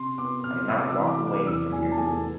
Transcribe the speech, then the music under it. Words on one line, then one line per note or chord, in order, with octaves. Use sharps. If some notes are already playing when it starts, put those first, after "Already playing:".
I did not walk away from your group.
Already playing: C3 C6
B3 D6
C3 F6
C3 E6
D6
E6
E3
D6
C3
D6
E2 E6
E2 G#5
A5
A3 G#5
B3